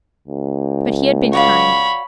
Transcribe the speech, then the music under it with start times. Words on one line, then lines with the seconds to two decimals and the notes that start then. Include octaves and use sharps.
But he had been kind.
0.28 C#2
1.33 F#4 C#5 D5 F5 B5